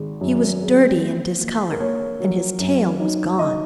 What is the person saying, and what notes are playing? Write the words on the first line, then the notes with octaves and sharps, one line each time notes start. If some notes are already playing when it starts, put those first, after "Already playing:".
He was dirty and discolored, and his tail was gone.
Already playing: G#1 G#3
F#2
G#3
A#3
A#3
A#4
A#3 C#5
F#3
F#2
D#4
D#4 D#5